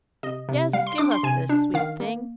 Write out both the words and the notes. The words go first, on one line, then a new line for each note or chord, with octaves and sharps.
Yes, give us this; sweet thing!
C3 D#5
C3
G3 F5
C6
D4 D6
C6
C3 G#5
D4
D#3 F5
A#3